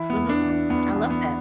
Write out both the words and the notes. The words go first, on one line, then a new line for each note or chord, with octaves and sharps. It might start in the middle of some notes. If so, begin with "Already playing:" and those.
Mhm, I love that.
Already playing: E3 E4
B3
E2
D4
E3
D4
E2 B3
B3
E3
B3